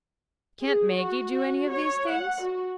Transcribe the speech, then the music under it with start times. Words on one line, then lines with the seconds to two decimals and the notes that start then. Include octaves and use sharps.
"Can't Maggie do any of these things?"
0.62 G#4
0.91 F#4
1.32 F#4
1.70 C#5
2.09 F#5
2.42 F#4